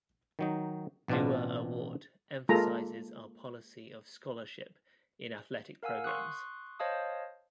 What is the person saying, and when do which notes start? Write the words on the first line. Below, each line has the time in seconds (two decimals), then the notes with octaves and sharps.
Duer Award emphasizes our policy of scholarship in athletic programs.
0.39 D#3 F#3 D#4
1.08 A1 B2 C4 D4 F4
2.49 G#3 A#3 F4 A4 A#5
5.83 A#4 F5 F#5 G#5 E6
6.04 C6 C#6 D#6 F#6
6.80 C5 C#5 D#5 F5 A5 D#6